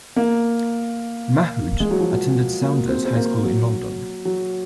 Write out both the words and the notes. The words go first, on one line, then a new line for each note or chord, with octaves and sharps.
Mahood attended Saunders High School in London.
A#3
G#3
F#3
F3
F#3
A#3
C4
C4
A#3
F#3
F#3